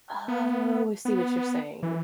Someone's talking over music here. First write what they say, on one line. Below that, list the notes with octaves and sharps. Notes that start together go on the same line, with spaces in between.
Oh, I see what you're saying.
B3
B3
E3